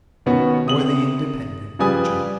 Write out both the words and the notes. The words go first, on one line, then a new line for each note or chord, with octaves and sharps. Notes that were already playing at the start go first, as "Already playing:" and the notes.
For the Independent Journal.
B2 D#3 B3 C#4 F#4
C3 D#6 F#7
C#3 F3 G3 B4 G#5 D#6